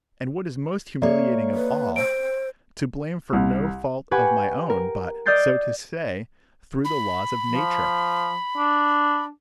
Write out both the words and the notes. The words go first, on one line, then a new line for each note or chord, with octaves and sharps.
And what is most humiliating of all, to blame for no fault of my own but, so to say, through the laws of nature.
A#3 A4 C#5 D5 E5
B4
C5 D7
C2
G4 B4 F#5 G#5 B5 C#6
A#4
D5 D#5 F6 G6 A6 C7
B5
F3
D4